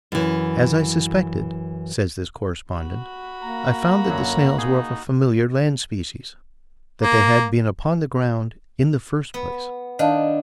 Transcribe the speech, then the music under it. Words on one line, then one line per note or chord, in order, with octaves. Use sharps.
"As I suspected," says this correspondent, "I found that the snails were of a familiar land-species"--that they had been upon the ground "in the first place."
F#2 E3
F#4 B5
A#3 A#5
F#2 D3 F#3
D#4 G#4
A#3
B3
D#3 D4 D#5 F5 A5